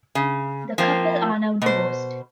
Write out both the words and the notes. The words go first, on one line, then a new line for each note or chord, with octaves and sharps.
The couple are now divorced.
C#3
F3 A#3 C4
B2 C5